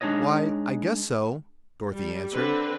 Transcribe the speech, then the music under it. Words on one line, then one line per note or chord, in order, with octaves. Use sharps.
"Why, I guess so," Dorothy answered.
G#3 D4 D#4 C#5 D#5
G3
D3 C4 B4